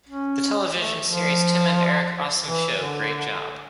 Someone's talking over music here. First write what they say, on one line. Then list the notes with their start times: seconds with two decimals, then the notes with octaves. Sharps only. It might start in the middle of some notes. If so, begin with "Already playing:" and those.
The television series Tim and Eric Awesome Show, Great Job!
0.08 C#4
0.76 A3
1.09 F3
2.44 E3
2.77 D3